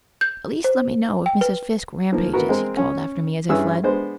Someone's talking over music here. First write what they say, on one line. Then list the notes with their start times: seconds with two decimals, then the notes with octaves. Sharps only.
"At least let me know if Miss Fiske rampages," he called after me as I fled.
0.21 G6
0.64 C5
1.26 G5
1.41 B4
2.12 D#3 F3 A#3
2.33 E3 B3 F#4 A#4
2.49 G#3 C4 A#4
2.77 C#4
3.49 G2 C#4 E4 G#4 B4 E6
3.84 G#3 B3 D4 C5